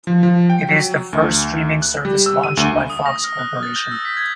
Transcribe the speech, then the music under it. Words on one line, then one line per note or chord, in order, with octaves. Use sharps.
It is the first streaming service launched by Fox Corporation.
F3
F3
G5
F#3
D2
F#6
G3
E6
D#7
D2
D#6
A#6
F6
F#6
A6
G6
E6
B6
G#6